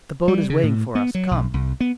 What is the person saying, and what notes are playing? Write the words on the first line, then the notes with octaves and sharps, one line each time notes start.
"The boat is waiting for us; come."
G3
C#3
A2
B3
F#3
B1
C2
B3